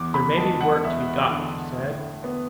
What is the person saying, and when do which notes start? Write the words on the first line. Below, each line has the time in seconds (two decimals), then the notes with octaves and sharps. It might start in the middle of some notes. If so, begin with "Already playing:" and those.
'There may be work to be got,' she said.
Already playing: E2 D6
0.14 B5
0.37 G#3 A5
0.61 F#5
0.84 E2 E5
1.31 D3
1.77 A2
2.24 B3